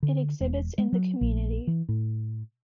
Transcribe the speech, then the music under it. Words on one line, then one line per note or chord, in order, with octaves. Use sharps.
It exhibits in the community.
D3
E1
G#3
F#3
A#1
E3
A2